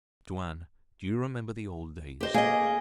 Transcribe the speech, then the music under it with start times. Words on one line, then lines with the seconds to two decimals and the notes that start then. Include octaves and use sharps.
Tuan, do you remember the old days?
2.21 G4 C5 D#5
2.34 A#3 G#4 D#5